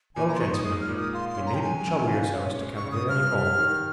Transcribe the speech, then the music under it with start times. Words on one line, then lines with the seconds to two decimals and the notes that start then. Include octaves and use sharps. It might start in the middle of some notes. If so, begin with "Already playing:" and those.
"Well gentlemen, you needn't trouble yourselves to come here any more!"
0.15 A#2 G#5
0.28 A#5
0.34 C6
0.40 D#4 C#6
0.53 D#6
0.64 G#3 D#6
0.81 F6
0.88 A#2
0.97 D#6
1.13 F4 C6
1.29 C6
1.37 C#4
1.46 A#5
1.55 G5
1.62 G#3 G#5
1.87 C#3
2.11 F4
2.35 C#4
2.61 G#3
2.76 C#6
2.85 C#3
2.92 D#6
3.09 G2 F6
3.33 G3
3.58 D#3